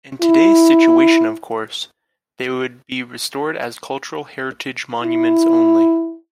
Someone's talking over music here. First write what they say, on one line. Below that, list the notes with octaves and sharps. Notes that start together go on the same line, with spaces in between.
In today's situation of course, they would be restored as cultural heritage monuments only.
E4
E4